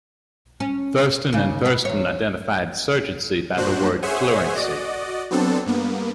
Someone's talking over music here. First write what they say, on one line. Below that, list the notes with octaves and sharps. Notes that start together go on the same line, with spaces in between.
Thurstone and Thurstone identified surgency by the word "fluency".
C#4
D#2 C#3
B3
E2 C#5
G2 A#2 D4 F#4 C5 F#6
G#4 C5 C#5 E5 F#5 G#5
F#4 D5 D#5
F#3 B3 C4 D4 A4
G2 A#3 B3